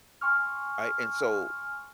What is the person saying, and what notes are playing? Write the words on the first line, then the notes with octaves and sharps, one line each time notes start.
I and so,
G#5 C6 C#6 F6